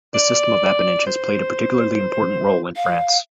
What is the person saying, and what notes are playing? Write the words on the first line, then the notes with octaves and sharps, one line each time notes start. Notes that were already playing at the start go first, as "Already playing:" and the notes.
The system of appanage has played a particularly important role in France.
D5
C5
F5